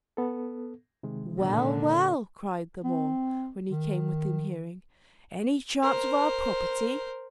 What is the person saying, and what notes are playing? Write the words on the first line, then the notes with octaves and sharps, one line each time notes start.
"Well, well," cried them all, when he came within hearing, "any chance of our property?"
B3 A4
C3 D#3 G#3
A#2 D3
C4
D#3
A#4 C5